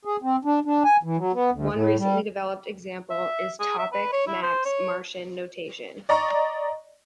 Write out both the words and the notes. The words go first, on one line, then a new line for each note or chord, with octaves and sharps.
One recently developed example is Topic Maps Martian Notation.
G#4
C4
D4
D4
G#5
E3
F#3
B3
D2
A2
G3
E5
G#4
E5
B4
C#5
E4
C5
C#5
D5 D#5 A#5 C#6